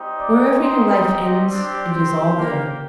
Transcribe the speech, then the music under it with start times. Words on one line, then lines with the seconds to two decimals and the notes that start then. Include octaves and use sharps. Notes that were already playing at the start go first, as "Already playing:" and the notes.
Wherever your life ends, it is all there.
Already playing: G3 C4 D#4 G4
0.19 D5 D6
0.62 C5 C6
1.20 D#4 D#5
1.48 C4 D4 G4 D5
1.92 C4 C5
2.35 A#3 A#4